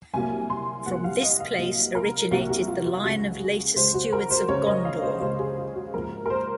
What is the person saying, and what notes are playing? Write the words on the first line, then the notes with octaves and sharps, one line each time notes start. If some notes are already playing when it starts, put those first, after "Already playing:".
From this place originated the line of later Stewards of Gondor.
C2 C3 F#3 A#3 G#5
C6
C2 C3 F#3 A#3 F#5
F5
D#5
F5
C2 C3 F#3 A#3
A#4
C2 C3 F#3 A#3 F#4
F#4
F4
F#4
C#2 C#3 G#3 F#4
G#4
C#2 C#3 G#3 C5
F#4
A#4
C5
C#2 C#3 G#3 C#5
D#5
F5
C5
C#2 C#3 G#3 C5
G#4
F4
F#4
A#1 G#2 F3 A#4
A#4
C5